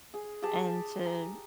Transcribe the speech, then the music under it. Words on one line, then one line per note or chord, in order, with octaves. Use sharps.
and to
G#4
G4 G#4 A5
A#5